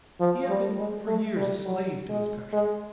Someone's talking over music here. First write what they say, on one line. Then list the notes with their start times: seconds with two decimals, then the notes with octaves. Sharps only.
He had been for years a slave to his passion.
0.20 F3
0.48 G3
0.78 G#3
1.07 A3
1.37 G3
1.65 F#3
2.10 G#3
2.53 G#3